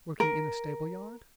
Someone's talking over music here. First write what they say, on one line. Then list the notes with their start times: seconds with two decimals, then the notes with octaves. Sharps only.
"Working in a stable-yard?"
0.20 A#4